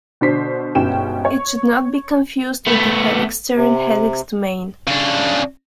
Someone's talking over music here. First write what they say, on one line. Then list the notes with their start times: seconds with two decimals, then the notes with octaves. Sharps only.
It should not be confused with the helix-turn-helix domain.
0.21 B2 D3 D4 C5 B6 C7
0.75 G1 G#2 B2 C#4 G5 E7
1.25 C#5
2.67 A3 B3
3.56 C3
4.87 C#3 D4